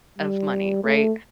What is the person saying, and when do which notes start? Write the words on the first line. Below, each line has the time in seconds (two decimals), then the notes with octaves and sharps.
of money? Right?
0.18 G3
0.84 A3